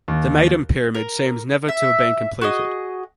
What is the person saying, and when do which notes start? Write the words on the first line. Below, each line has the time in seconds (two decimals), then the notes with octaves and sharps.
The Meidum Pyramid seems never to have been completed.
0.08 D#2
0.94 A#4
1.69 E5
2.41 F#4 G#4 D#5